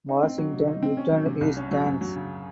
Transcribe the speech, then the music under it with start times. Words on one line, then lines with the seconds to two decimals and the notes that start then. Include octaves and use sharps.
Washington returned his thanks.
0.09 D#4
0.23 C4
0.38 F#3
0.53 C3
0.68 D#4
0.83 C4
0.97 C#4
1.12 F#3
1.26 C3
1.41 C2
1.57 C#4
1.71 F#3
1.86 F#2
2.01 F#3
2.16 C#3